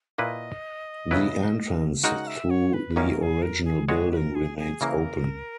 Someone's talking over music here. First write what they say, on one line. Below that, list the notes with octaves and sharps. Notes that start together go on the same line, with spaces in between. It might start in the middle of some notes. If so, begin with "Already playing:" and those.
The entrance through the original building remains open.
A#2 A#3 E4 B4 D#5
C#3 F#3 B3 E4 B4
C#3 G#3 D#4 F#4 A#4 F#5
E5
C#5
B4
F#2 D#3 A#3 C#4 A#4
A#4
G#4
A#4
G#4
G#3 B3 F#4 G#4 C#5
B4
A#4
G#4
G#4
C#3 E3 A#3 A#4